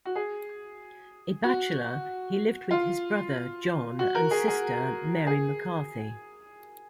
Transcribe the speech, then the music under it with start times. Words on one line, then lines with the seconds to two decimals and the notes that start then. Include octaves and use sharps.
A bachelor, he lived with his brother, John, and sister, Mary McCarthy.
0.05 F#4
0.15 G#4
1.43 F#4
2.71 F4
3.99 F#4
4.15 A#4
4.31 G#4
4.47 G#4
5.27 G#4